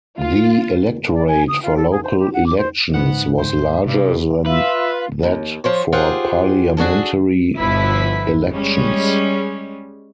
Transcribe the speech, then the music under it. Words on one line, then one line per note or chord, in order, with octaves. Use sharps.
The electorate for local elections was larger than that for parliamentary elections.
F4
D5
G#5
D#6
F4
A4
G#4
C5
G4
F#5
D6
C5
G#2 B3 F#5
C5
G2 C3
F4 B4 E5
D#2
F3 C5 C#5
F4 G4 G#4 C5 F#5
D4 F#4 G#4 A4
G1 B2 F3 E4 B4 B6
G3 G#3 C#4